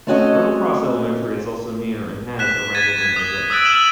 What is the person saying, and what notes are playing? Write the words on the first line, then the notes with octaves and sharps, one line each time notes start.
Level Cross Elementary is also near and has a Randleman address.
A3 C4 C#4 F#4 A4 D#5
F#6 B6 E7
G#6 A6 B6 D#7
G#6
D#6 G7
D#6 E6 F#6 A6 D7
E6 F6 E7 F#7